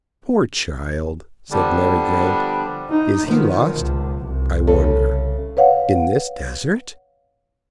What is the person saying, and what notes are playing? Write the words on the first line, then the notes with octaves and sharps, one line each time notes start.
"Poor child!" said Mary Grant. "Is he lost, I wonder, in this desert?"
D3 F3 G3 B3 D4
D#4
D#3 F3 B3
C#2
C2
C#3 A4
B4 C#5 F5 F#5